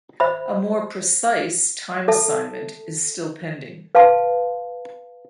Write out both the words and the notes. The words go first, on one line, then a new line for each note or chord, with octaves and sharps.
A more precise time assignment is still pending.
C5 E5 B5
A4 E5 A5
B4 F5 A5 C6